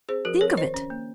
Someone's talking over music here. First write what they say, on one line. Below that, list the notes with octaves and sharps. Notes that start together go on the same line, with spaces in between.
Think of it!
C4 G#4 C5
F3 F#4 A#4
C4 A#4 C#5
D#3 C5 D#5
C#4
A#3